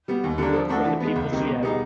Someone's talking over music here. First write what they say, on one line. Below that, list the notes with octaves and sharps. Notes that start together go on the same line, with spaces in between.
work for other people, so yeah
G3 B3
D#2
D3 G3 A#3 D4
F3
A3 D4 F#4 A4
E3
G#3 B3
C#2
C3 D#3 G3 A#3
B2
G3 B3 D#4 G#4